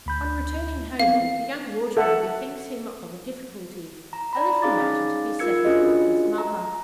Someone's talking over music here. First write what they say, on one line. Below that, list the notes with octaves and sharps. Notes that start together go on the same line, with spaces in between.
On returning homeward the young waterman bethinks him of a difficulty--a little matter to be settled with his mother.
D2 B5 G6
B3 C4 F5
A4 E5 F#5
A#5
D5 A#5 B5
C#4 D#4 G#4 F5 D6 A6
F4 A#4 E6 G#6 C#7
C#4 D4 F4 F#4 G#4 D#5
A#5